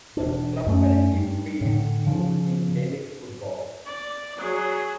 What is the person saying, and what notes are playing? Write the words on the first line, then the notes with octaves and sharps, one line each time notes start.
The club currently fields teams in Gaelic football.
E1 D4
F#2 A3 C#4
G2
A2 D3
C#3 F3
D5
F#3 G#4